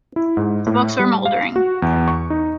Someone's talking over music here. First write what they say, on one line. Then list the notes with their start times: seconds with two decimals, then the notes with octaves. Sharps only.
The books were mouldering.
0.16 E4
0.37 G#2
0.66 A2
0.99 G3
1.26 F5
1.56 F#4
1.82 E2
2.08 C#6
2.30 D#4